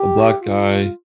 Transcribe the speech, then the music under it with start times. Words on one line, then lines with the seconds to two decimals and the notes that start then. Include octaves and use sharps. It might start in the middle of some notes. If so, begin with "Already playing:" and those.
a black guy
Already playing: G4
0.42 F4